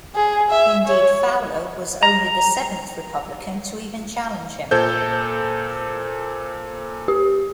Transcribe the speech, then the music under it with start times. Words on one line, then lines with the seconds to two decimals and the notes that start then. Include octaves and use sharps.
Indeed, Fowler was only the seventh Republican to even challenge him.
0.15 G#4
0.50 E5
0.86 C#5
2.03 A#5
4.71 A#2 A4 C5 G6
7.08 G4